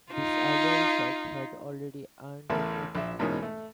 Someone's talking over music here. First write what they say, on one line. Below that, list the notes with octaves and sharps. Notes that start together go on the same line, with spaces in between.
This earlier research had already earned him recognition.
D#4 F4
A1 E2 A3 A#4 A5 B5
A#1 E5
E2 G#2 B2 A#3 C#4 D#4
A3